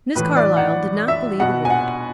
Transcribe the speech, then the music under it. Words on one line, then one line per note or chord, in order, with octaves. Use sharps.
Miss Carlyle did not believe a word.
A2 E3 B4
D5
F#5
E5
B2 F#5
G#5
F#5